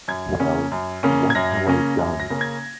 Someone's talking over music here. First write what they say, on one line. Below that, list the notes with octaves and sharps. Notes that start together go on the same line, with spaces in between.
Well, what have I done?
F#2 G#6
C#3 A#3 C#4
F#2
C#3 A#3 C#4
G#6
F#2 A#6
C#3 A#3 C#4
F#2
A#6
C#3 A#3 C#4
G#6